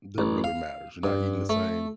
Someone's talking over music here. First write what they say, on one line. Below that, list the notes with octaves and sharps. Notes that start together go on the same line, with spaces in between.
That really matters, you're not eating the same.
A1
F5
G2
A3